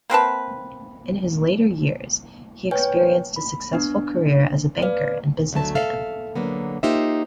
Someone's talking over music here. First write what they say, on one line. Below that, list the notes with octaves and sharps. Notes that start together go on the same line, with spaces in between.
In his later years, he experienced a successful career as a banker and businessman.
A#3 C4 B4 A5
B4 C#5 G5 G#5
B5
B3 D4
B4 D5 F5
D2 F#3 A3 A5
A4 E5 F5
D3 F#3 A#3 B3
A#3 D#4 F4 G4 C5 E5